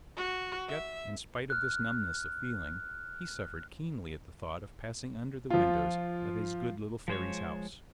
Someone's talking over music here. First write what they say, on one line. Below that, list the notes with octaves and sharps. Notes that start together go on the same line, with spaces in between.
Yet, in spite of this numbness of feeling, he suffered keenly at the thought of passing under the windows of his good little Fairy's house.
F#4
E5
F6 F#6
F3 F4
F3 G#3 C5 C#5 C#6